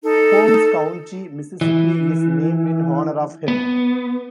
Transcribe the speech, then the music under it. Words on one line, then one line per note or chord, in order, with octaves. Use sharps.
Holmes County, Mississippi is named in honor of him.
D#4 A4
E3
B3